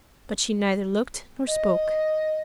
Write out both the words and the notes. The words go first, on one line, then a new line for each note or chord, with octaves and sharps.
But she neither looked nor spoke.
D#5